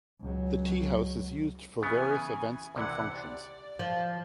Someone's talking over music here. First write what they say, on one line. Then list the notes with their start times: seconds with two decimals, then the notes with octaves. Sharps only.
The teahouse is used for various events and functions.
0.21 C#2 F#3
1.82 C#3 E3 B3 G#5
2.75 C2 C3 E3 F#5
3.16 G4 D5
3.79 F3